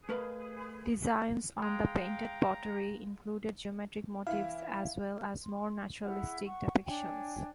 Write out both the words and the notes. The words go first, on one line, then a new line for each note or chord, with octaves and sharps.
Designs on the painted pottery included geometric motifs as wells as more naturalistic depictions.
A3 A#4 B4 D#5 F5
G#3 F5 G5 A#5
E3 E4 F5
C6
E4 G#4 F#5
F#5 C#6
D4 C#5 G5 G#5